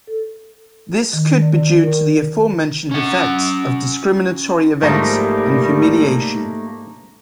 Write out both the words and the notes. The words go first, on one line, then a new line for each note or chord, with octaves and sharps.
This could be due to the aforementioned effects of discriminatory events and humiliation.
A4
D#3
D5
A#4
C#4 F#5
G#2 F3 G3 A3 A#3 D#4